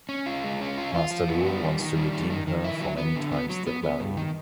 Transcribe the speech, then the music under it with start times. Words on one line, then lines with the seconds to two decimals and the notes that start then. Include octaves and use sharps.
Master Luo wants to redeem her for many times that value.
0.09 C#4
0.26 F4
0.44 G#3
0.61 C#4
0.78 F4
0.94 F4
1.11 F3
1.28 B3
1.46 G3
1.62 D#3
1.79 D#3
1.96 G3
2.13 D#3
2.30 D#3
2.47 D#3
2.64 E4
2.81 F#3
2.98 B3
3.16 D3
3.32 B3
3.49 F#3
3.67 B3
3.84 B3
4.00 G2
4.17 D#3